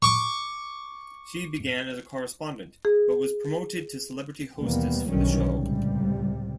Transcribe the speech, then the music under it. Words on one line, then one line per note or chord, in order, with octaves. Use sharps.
She began as a correspondent, but was promoted to celebrity hostess for the show.
C#6 D6
G#4
D#2 B2 E3 G3 A#3 B3
B1 D3 D#3 F#3 G3 C#4
C#2 A2 C3 G3